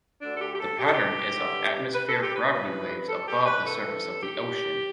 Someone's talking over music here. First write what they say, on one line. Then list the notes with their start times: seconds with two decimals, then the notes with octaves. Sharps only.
The pattern is of atmospheric gravity waves above the surface of the ocean.
0.22 D2 D3 D4
0.36 A4
0.41 G4
0.55 G4
0.60 A4
0.80 G4
0.86 A4
0.94 G4
1.36 G2 D3
1.95 B4
2.09 A4
2.22 G4
2.36 B4
2.51 G2 E3
3.08 A4
3.28 G4
3.46 B4
3.66 G2 E3 A4
4.23 G4